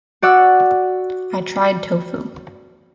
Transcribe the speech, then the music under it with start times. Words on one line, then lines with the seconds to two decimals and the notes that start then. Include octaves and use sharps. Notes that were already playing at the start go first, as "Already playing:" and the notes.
I tried tofu.
0.22 F#4 D5 F#5 E6